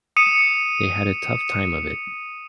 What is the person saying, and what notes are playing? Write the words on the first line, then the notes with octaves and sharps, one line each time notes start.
They had a tough time of it.
D#6 C#7 D#7 E7